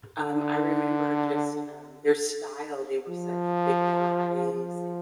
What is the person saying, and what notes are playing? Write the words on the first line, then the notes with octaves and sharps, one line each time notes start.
Um, I remember just, um, their style. They were such good guys, and
D3
F3
F3